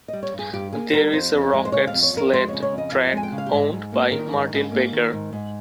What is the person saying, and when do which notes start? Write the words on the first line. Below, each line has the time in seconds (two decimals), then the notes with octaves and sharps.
There is a rocket sled track owned by Martin-Baker.
0.08 G3 D#5
0.23 C#5
0.33 G2
0.39 G#4
0.53 G2 G4
0.73 A#3 G#4
0.93 G3 A#4
1.12 F2 C5
1.33 F2
1.53 G#3
1.65 C5
1.72 C#3 C#5
1.87 F5
1.93 F2
2.03 C#5
2.13 F2 A#4
2.33 G#3 C5
2.48 C#3 C#5
2.63 C#5
2.72 F2
2.78 D#5
2.92 F2 F5
3.07 D#5
3.13 G#3 G#5
3.23 G5
3.32 C#3
3.38 F5
3.46 G4
3.53 G#2 G#4
3.73 G#2
3.92 A#3
4.12 D#3 A#4
4.33 G#2
4.52 G#2
4.72 A#3
4.93 D#3
5.13 G#2
5.33 G#2